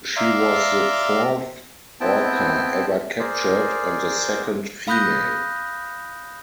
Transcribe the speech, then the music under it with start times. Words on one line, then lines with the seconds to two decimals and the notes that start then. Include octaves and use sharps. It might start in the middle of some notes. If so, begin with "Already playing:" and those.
She was the fourth orca ever captured, and the second female.
0.16 D5 E5 F5 A#5 C6
2.00 B3 C4 E4 G5 A5
3.19 G#4 A#4 C5 D5
4.87 F5 B5 D#6 F#6 G6 A#6